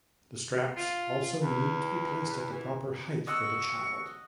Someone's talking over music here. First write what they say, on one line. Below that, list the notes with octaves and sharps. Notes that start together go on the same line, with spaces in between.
The straps also need to be placed at the proper height for the child.
F4
E2
E3
D#5 F#5 C#6 E6